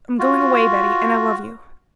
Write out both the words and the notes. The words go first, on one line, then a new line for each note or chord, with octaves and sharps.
I'm going away, Betty, and I love you.
F4 F#4